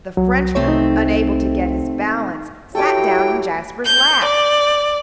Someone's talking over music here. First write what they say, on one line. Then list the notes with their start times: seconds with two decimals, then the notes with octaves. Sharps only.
The Frenchman, unable to get his balance, sat down in Jasper's lap.
0.17 C2 F#3
0.55 C2 C3 A3 C4 C#5
0.68 D#4
2.75 E4 F#4 G4 A4 C#5 G5 G#5 D6
3.86 G6
4.25 D5